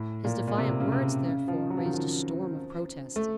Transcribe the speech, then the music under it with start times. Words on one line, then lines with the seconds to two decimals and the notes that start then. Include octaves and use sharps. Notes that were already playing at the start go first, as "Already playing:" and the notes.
His defiant words therefore raised a storm of protests.
Already playing: A2
0.24 A#2
0.47 A#2
0.58 C3
0.80 C#3
0.92 C3
1.26 C#3
1.48 F3
1.70 F#3
1.77 F3
1.85 D#3
1.94 F3
3.16 A3